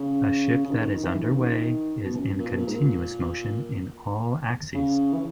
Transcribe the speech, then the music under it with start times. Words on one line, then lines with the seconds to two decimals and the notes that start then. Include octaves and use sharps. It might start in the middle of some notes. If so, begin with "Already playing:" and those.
A ship that is underway is in continuous motion in all axes.
Already playing: C#3
0.65 C#3
0.71 D#3
0.81 D#3
0.93 D#3
1.04 E3
1.15 E3
1.22 D#3
1.29 C#3
1.38 D#3
2.05 B2
2.16 F#2
2.39 A#2
2.49 B2
2.58 A#2
2.67 G#2
2.75 A#2
4.74 C#3
5.13 E3